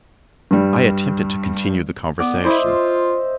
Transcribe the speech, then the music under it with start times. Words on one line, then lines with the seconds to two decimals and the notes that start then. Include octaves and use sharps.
I attempted to continue the conversation.
0.51 G2 G3
2.20 B3 D5
2.44 E4 C5 D#5 E5
2.65 F4